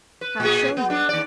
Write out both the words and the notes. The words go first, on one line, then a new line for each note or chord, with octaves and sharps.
I'll show you.
B4
A#2 G#4
B3
B3 D4
D#2 D5